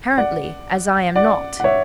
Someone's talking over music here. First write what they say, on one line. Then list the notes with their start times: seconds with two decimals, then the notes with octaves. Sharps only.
"Apparently--as I am not."
0.18 D5 F#5
1.16 D5 F#5
1.60 F#5
1.64 C#5 E5